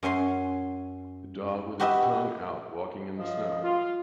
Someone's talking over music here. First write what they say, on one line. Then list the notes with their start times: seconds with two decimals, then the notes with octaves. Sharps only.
A dog with its tongue out walking in the snow.
0.03 F#2 C#4 G#5 C6
1.80 F#4 G4 B4 D#5 E5
3.17 F#2 F3 D#5
3.63 F4